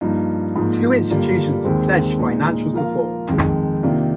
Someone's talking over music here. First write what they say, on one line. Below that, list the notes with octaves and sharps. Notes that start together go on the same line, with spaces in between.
Two institutions have pledged financial support.
G2 F3 A#3 D#4
G#2 F3 A#3
G2 D3 G3 A#3 F4
D#2 D#3 G#3 C4
A#2 G#3 D#4
F3 A#3 F4 A#4 F5
F2 D#3 G#3
C3 D#3 A#3 D4 F4